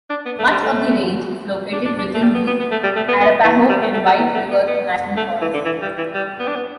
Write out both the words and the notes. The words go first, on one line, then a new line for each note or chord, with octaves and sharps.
Much of the range is located within the Arapaho and White River National Forests.
D4
B3
A3
G3
A3
D4
D4
D4
A3
G3
B3
B3
B3
A3
G3
A3
B3
B3
E3
G3
A3
A3
G3
E3
A3
B3
B3
A3
E3
D3
E3
G3
E3
G3
B3
D4
B3